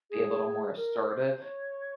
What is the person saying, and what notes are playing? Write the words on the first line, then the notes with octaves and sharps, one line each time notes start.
Be a little more assertive
G#4
A#4
C5
C#5